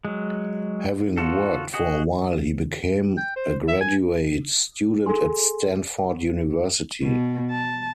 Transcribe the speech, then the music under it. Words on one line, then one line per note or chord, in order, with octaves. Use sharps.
Having worked for a while, he became a graduate student at Stanford University.
F#3 G#3
F4 F#4 A4
F#4 G#4 D#5
G5
C5
E5
G#5
G#4 A4 G#5 C6
B2
A5